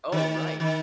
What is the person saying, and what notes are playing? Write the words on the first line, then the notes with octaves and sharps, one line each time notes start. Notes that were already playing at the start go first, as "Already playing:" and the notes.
Oh, right.
D#3
D#3